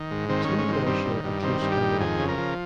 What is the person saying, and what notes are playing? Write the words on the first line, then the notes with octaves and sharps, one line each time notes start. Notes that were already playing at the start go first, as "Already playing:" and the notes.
The two now share a close camaraderie.
Already playing: D#3
G#2
D#3 C4
G#2 C#4
C#4
D#3 C4
G2 C4
D#3
G2
D#3 C4
G2
G4
D#3
F2 G#4
C#3
A#4
F3